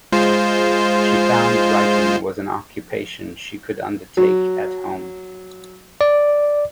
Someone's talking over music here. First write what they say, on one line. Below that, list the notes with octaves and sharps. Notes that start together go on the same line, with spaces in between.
She found writing was an occupation she could undertake at home.
G#3 F4 C5
F#3
D5